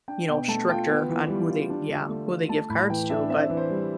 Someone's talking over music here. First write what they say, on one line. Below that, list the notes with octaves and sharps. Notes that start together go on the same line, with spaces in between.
you know, stricter on who they Yeah, who they give cards to, but,
D4 G5
B2 G5
A3 A5
F4 G5
B3
E3
G3
F4
D4
D3
A3
F4
A3 A5
A2 B5
E3 G5
D4 E5
C4 E5
E3
C5
G3